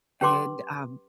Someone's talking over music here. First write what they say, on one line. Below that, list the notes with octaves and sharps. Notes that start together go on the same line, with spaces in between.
and, um
C#4 G4 B4 C6 D6